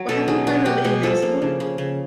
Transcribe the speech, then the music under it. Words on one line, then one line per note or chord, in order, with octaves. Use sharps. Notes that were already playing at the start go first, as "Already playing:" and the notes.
Well, have you heard of Invincible?
Already playing: F#3
B2 A4
F#3 G#4
B2 F#4
F#3 G4
B2 G#4
F3 A4
A#3
C#3
C#3
C#3